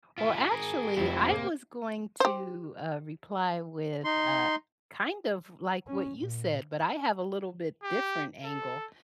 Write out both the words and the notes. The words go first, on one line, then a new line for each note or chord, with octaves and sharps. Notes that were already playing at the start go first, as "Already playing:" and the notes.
Well, actually, I was going to, uh, reply with, uh, kind of like what you said, but I have a little bit different angle.
E4 F4
G#4 A#4
F1 F3 C4 E4
C3 A#3 C5
G4 C5
D#4 C6
C#4
A#2
G4
A4